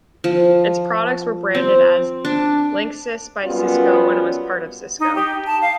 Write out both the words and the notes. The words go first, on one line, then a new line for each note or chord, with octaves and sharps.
Its products were branded as Linksys by Cisco when it was part of Cisco.
F3
C4
D4
F#2 G3 B3 C#4 F4
D#4
G4
A5
F5